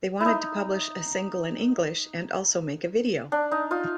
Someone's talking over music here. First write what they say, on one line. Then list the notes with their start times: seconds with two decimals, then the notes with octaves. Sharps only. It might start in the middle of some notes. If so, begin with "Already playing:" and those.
They wanted to publish a single in English and also make a video.
0.21 E4
0.26 D#4
3.32 D4
3.51 D#4
3.71 D#4 F4